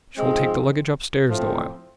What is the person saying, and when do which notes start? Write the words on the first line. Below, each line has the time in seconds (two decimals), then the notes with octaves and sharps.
'She'll take the luggage upstairs the while.
0.18 G#2 F3 G#3 C4
1.29 A2 F3 A3 C4